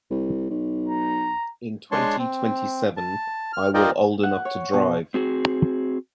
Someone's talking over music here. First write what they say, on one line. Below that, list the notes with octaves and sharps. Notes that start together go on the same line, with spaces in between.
In twenty-twenty-seven I will old enough to drive.
C2
B1
A#5
G#3 D4 C#5 A5 C6 C#6
C4
A5
F6
F4 A#4 D5 D#5 G5
F#5
C#5
B2
C4 F#4 G#4